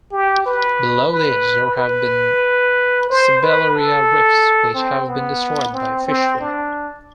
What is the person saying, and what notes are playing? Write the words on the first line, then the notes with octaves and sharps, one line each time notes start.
Below these, there have been sabellaria reefs which have been destroyed by fishery.
G4
B4
B4
B4
C5
B4
A4
C4
B3
C4
C4
D4